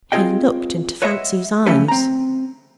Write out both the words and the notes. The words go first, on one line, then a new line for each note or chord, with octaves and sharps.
He looked into Fancy's eyes.
C4 F4 G#4 D#5 G5
B4 C#5 D#5 E5 F#5 C6
F3 F#3 A3 C#4 G4 B4
C4 A#5